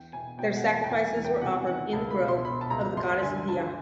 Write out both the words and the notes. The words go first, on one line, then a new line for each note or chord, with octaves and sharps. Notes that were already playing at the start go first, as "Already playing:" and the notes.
Their sacrifices were offered in the grove of the goddess Dia.
Already playing: E2 G5
B2 G#5
B2 G5
F#5
E2
A5
G5
E2 G#5
G#5
E2
G5
C3 F#5
D#3 F#5
C#2 A5
B5
B2
C6
B2 B5
A5
C#2 A#5
F#2 C6
D3 G#5
D3 A5